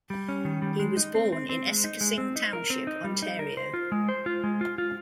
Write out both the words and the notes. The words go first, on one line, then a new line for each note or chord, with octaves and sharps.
He was born in Esquesing Township, Ontario.
G3
C#4
D#3
G3
G#3
D#4
C4
C4
C4
G#3
D#4
G#3
C4
D#4
A#4
C4
D#4
G3
D#4
A#4
C5
F4
G#3
C5
F4
G#3
F4
F4